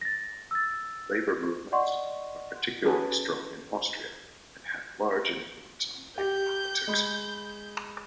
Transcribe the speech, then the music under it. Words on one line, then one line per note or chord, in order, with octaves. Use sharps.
Labour movements are particularly strong in Austria and have large influence on labour politics.
A6 A#6
E6 A6
D5 D#5 F#5 C6 C#6
C#4 F#4 G#4 A4 B4
G4 G6
G#3 B5